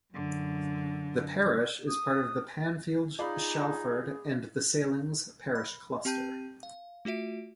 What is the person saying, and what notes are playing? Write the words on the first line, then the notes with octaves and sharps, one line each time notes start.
The parish is part of the Panfield, Shalford and The Salings parish cluster.
F#2 D3
D#6
D#4 F4 G#4 D5 F5 B5
B5
C4 G4 G5 A5 G6 D#7
F5
A3 F4 F#4 E5 D7